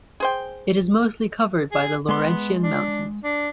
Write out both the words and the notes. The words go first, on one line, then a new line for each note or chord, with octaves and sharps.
It is mostly covered by the Laurentian mountains.
G#4 C5 G5
G#4
G#3 B3 C6
D4
D4